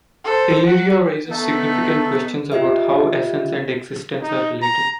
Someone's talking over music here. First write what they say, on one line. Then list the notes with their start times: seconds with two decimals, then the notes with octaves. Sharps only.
Illyria raises significant questions about how essence and existence are related.
0.24 A4 C5
0.67 F#4
1.30 A3 B3 D#4 A4
2.52 F4 G4 D#5 E5
4.23 D#4
4.63 A#5